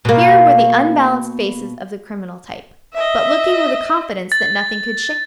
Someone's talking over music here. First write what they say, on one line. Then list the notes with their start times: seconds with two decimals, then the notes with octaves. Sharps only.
Here were the unbalanced faces of the criminal type, but looking with a confidence that nothing could shake.
0.05 B2 A#3
2.94 D#5 E5
4.32 A6